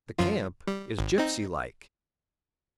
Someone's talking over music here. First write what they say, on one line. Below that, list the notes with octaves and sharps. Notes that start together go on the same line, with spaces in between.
The camp is gypsy-like.
F#2 F3 F4
G3
G#1
C4 D#4